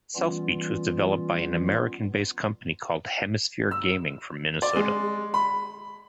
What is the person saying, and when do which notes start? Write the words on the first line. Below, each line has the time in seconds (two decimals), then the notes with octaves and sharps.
South Beach was developed by an American based company called Hemisphere Gaming from Minnesota.
0.16 E3 G3 B3 C#4 F4
3.71 E6
4.62 D5
4.76 G#3
5.34 B5